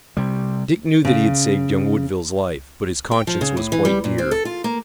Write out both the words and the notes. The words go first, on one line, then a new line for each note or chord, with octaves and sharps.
Dick knew that he had saved young Woodville's life, but his conscience was quite dear.
C3 G3
C#3
G5
F3
C#3
A2
E3
G3
A#2
C4
A4
F4
A#3